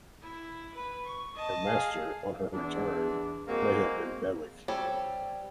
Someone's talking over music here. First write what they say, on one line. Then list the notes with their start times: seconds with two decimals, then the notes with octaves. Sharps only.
Her master on her return may have been Bewick.
0.21 E4
0.74 B4
1.05 C#6
1.34 D#5 A5
1.65 G#4 F5
2.53 E2 D4
3.48 G#3 A#3 C4 F#4
4.68 G3 C4 A4 C#5